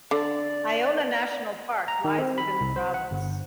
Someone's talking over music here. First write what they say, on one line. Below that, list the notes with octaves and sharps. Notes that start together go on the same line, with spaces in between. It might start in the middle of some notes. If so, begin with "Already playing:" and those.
Iona National Park lies within the province.
D3 D5
A#5
D#3
C4
B5
C2
C5
F#5
G1